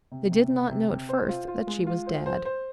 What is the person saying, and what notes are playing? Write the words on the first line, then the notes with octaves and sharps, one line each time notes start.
They did not know at first that she was dead.
C3
C3
C3
C3
C3
C5
F4
F4
G#3
F4
C5
C5
C5